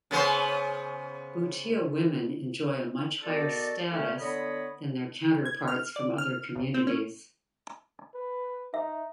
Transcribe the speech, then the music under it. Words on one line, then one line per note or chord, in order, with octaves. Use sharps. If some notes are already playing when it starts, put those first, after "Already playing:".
Bhutia women enjoy a much higher status than their counterparts from other communities.
C#3 B3 C5
D#3 B3 F#4 A4 D5
A3 C#4
D3 B3 C#5 D#5 B5
G#6
F6
D5
F6
B1
C4
C#4
B4
D#4 E5